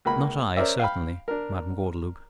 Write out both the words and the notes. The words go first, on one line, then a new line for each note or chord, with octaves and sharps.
"Not I, certainly, Madam Gordeloup."
C#2 A#3 B5
C#4 A#4 C5 D5 E5
F5 G5 B5
D4 A#4